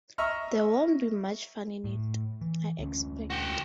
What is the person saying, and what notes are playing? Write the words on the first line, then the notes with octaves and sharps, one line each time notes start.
There won’t be much fun in it, I expect.
D#5 E5 A#5 C#6 E6 F6
A2
E3
D2 C#4
F#4 G5